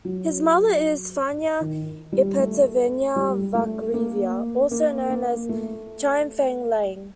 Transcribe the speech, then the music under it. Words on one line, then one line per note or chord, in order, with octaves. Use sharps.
His mother is Faina Ipatyevna Vakhreva, also known as Chiang Fang-liang.
F#3
D#3
G3
A3
G3
A3
A#3
A#3
A#3
A3